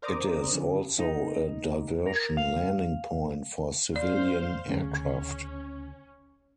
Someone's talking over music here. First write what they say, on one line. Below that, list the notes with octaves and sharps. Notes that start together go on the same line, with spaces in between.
It is also a diversion landing point for civilian aircraft.
A#4 C5 D5 A#5 D6 D#6
D3 F3 C#4
D#4
A#4
F5
C5 D5 F5 C6
D2 C#3 C#4